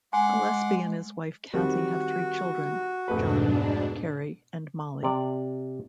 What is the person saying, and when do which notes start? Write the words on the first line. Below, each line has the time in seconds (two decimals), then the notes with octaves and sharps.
Gillespie and his wife Cathy have three children, John, Carrie, and Mollie.
0.13 G#3 F#5 G#5 C6 D6
1.53 D#3 G3 C4 F#4
3.08 F1 G#2 B2 A3 D4 B4
5.03 C3 D5